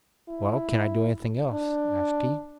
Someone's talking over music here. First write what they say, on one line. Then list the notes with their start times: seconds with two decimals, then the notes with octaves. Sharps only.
"Well; can I do anything else?" asked he.
0.29 E4
1.53 D4